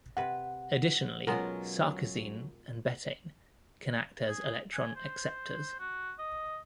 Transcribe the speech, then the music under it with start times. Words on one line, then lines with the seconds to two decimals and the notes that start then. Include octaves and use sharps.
Additionally, sarcosine and betaine can act as electron acceptors.
0.17 C3 B4 F#5
1.27 B2 F#3 G#3 B3 C#4 F4 A#4
4.28 G#4
4.74 G#5
4.96 C5
5.79 F#4
6.19 D#5